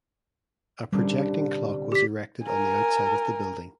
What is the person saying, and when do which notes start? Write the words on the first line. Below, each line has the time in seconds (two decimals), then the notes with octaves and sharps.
A projecting clock was erected on the outside of the building.
0.92 C2 A#2 D3 G3 C#4
1.92 G4 B6
2.45 A#4 G#5